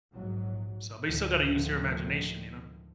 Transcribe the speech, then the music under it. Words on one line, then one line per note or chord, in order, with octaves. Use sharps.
So but you still gotta use your imagination, you know?
A#1 G#2 F#3
D2 A2 D3 D#3 F3 G#3